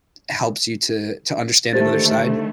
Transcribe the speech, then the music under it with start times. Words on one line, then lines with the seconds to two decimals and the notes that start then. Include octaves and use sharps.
helps you to to understand another side,
1.73 D3 D#3 A3 G4 C5 A6